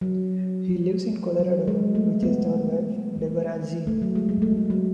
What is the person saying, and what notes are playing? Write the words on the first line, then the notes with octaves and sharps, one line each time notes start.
He lives in Colorado with his third wife, Deborah Jean.
F#3
G#3
F#3
G#3
A3
B3
A3
F#3
G#3
G#3
A3
A3
F#3